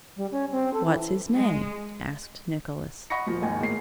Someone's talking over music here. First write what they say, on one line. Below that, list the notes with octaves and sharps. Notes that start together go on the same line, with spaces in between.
"What's his name?" asked Nicolas.
G3
C#4
C4
A4
E3
G#3
D#5 F#5 B5 C#6 A#6 C#7
D#1 F3
G#1 D#2 D#3 G#5
A2 G#3 A#3 C7